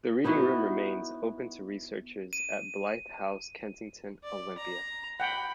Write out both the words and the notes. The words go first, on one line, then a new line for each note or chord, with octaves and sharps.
The reading room remains open to researchers at Blythe House, Kensington Olympia.
B3 D#4 E4 F#4
D#7
D5
A#5
F#5 G5 B5